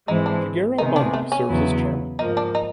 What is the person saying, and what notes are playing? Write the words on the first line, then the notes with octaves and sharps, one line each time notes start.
Shigeru Omi serves as chairman.
G#2 E3 G#3 C4 D#4 E4
D4
C3 D#3 G#3 B3 D#4
D4
A3
C#4
E2 C#3 F#3 B3 E4
G#2 F3 A#3 D#4
D4
D#4